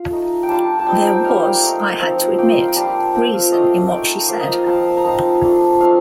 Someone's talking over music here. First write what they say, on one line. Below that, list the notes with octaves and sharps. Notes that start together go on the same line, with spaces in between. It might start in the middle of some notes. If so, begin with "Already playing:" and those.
There was, I had to admit, reason in what she said.
Already playing: F4
A3 D#4
G5
G3 D4 F4 A5
A5
G3 C4 D#4 G5
G5
G3 A#3 D#4 F5
A3 D#4
F3 C4 D#4
A#3 F4 G5
D#5
F5
G5
G3 D4 F4 A5
F3 C4 F4 G5
F5
A3 D4 F4 D#5
A3 D#4 G5
F3 A#3 F4 F5
D#5
F5
F3 C4 F4 A5
A#5
F3 C4 D#4 A5
A3 D4 F4
F3 A3 C4 D#4 F5